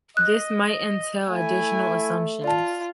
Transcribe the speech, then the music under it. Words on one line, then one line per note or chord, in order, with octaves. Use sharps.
This might entail additional assumptions.
D#5 F#6
A3 E4 G#5
F4 D5 A5